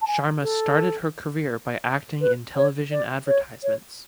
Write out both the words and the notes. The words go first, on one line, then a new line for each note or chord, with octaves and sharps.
Sharma started her career by acting in television advertisements.
A5
G#5
A4
B4
C#5
D5
C#5
C#5